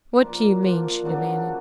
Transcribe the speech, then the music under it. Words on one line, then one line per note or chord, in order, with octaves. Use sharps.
"What do you mean?" she demanded.
F3 A#3 D4
F3 A#3 D4
C#3 F#3 A#3 D4